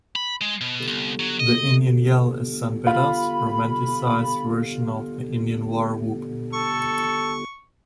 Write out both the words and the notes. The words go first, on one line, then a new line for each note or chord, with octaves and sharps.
The Indian Yell is San Beda's romanticized version of the Indian war whoop.
B5
G#3
B2
C2
F#3
D#5
F4 B5
A4 C#6